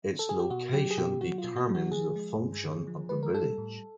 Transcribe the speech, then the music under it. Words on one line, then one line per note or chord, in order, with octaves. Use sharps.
Its location determines the function of the village.
A4
G#4
G4
B2 F#4
F#3 G4
G#4
B2 G4
F#3 F#4
F4
B2
F#4
F#3
F#4
F3 G#4
G#3
G2
D3
F3
G#3 B4
A#4
G3 A4
A2